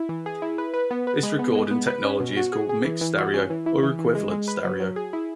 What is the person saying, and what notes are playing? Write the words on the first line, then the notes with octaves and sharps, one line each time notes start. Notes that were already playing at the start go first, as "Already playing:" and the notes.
This recording technology is called mixed stereo or equivalence stereo.
Already playing: E4
E3
G#4
E4
B4
B4
B3
B4
G#3
B3
G#3
B3
B4
C#4
B2
F#4
G#4
G#4
E3
E3
F#4
C#4
E3
E4
E3
E3
G#3
G#3
B4
F#3
F#3
G#4
E4